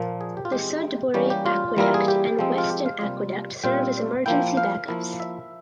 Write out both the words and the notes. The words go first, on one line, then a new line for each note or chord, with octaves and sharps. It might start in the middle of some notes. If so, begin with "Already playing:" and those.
The Sudbury Aqueduct and Weston Aqueduct serve as emergency backups.
Already playing: A#2 F3 A#3
G#4
G4
F4
E3 G#3 C4 G4
E3 G3 A#3 C#4 G4
G4
F4
E3 G3 A#3 E4 A#4
G#4
G4
F3 G#3 C4
F4
G4
F5
C3 G3 A#3 F4
A#2 G3 C4 F4 G5
F3 A#3 E4 G5
F5
F3 A#3 E4
E5